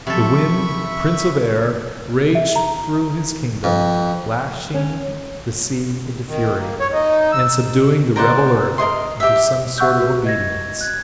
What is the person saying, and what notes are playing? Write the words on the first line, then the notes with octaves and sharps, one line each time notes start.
The wind, prince of air, raged through his kingdom, lashing the sea into fury, and subduing the rebel earth into some sort of obedience.
C3 F3 F#3 A4 E5 B5 C#6
E5
A#5
F2
C#4
D#3
A#3
C#5
D#4
E6
A#4 C5 D5 F#5
A#4 C#5 D#5 C6
G4 E5
E5 F#5 C#6 E6 F#6 G6
F#4 B4
D#5 G#6 A#6
F#6 G#6